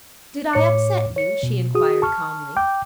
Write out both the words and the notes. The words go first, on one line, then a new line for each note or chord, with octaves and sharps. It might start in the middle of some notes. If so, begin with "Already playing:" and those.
"Did I upset you?" she inquired calmly.
A2 C#5 D6 C#7
C#5 C#7
B2
F#4 G#4 D#6
A5 C#6 F6
G5 D6 G6